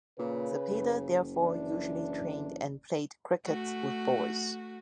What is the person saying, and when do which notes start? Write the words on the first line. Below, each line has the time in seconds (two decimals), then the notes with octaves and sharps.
Zepeda therefore usually trained and played cricket with boys.
0.19 A#2 C#3 B4
0.70 F#1
1.43 E3 D4
3.46 A3 F#4